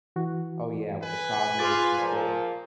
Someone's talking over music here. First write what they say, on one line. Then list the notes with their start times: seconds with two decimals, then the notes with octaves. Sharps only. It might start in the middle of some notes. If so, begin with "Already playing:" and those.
Oh, yeah, with the cognates and stuff.
0.16 E3 F#4
1.02 B4 G#5
1.59 F4 G#4 D6 A6
1.98 A#2 F3